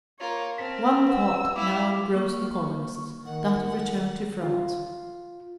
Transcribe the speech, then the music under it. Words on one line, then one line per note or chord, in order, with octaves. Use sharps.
One thought now engrossed the colonists, that of return to France.
A#3 F4 C#5
C4 A5 F6 B6
B4 F#5 E6
E4 F5 D6
A#3 C#6
D#3 F#5
F4